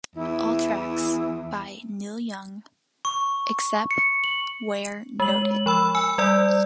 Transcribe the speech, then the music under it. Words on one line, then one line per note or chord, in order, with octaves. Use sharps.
All tracks by Neil Young, except where noted.
E2 E4
C#6
C#7
F#7
G#3 F#7
F3 B5 E6
G#5 E6
G3 D5 E6